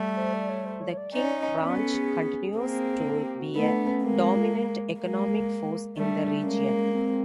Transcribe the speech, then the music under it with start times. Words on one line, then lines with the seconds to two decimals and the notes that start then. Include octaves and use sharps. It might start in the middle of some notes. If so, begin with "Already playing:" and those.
The King Ranch continues to be a dominant economic force in the region.
Already playing: G3 A3
0.17 C5
0.33 D5
0.50 C#5
0.66 C5
0.82 C#5
0.92 C#5
0.97 D5
1.13 C#4 D#4 D5
1.38 D#5
1.62 B3 C#4 D5
1.78 A4
1.94 G#4
2.59 A#3 C4
3.08 A4
3.23 G4
3.40 F#4
3.55 A3 B3 D#4
3.71 D4
3.88 C#4
4.04 G#3 A#3 C4
4.20 C4
4.36 F4
5.01 G#3 A#3
5.97 G3 A3 D4
6.37 D4
6.46 G#3 A#3 C#4
6.94 C4